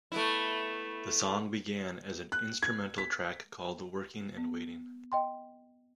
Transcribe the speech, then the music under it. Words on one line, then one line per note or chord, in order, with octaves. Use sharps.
The song began as an instrumental track called "Working and Waiting".
A3 B3 E4
F#6
G#6
B6
B3
D#5 G5 C6